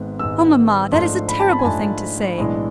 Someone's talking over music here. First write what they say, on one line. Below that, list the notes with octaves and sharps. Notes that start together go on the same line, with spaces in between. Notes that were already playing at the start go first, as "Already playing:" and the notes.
Oh, mamma, that is a terrible thing to say.
Already playing: G#1 G#2 G#3 B3
G#1 G#2 G#3 B3 E6
G#2 F3 A3 D4 C6
B5
A5
B5
G#5
G#2 F3 A3 D4 A5
B1 A2 E3 G#3 D4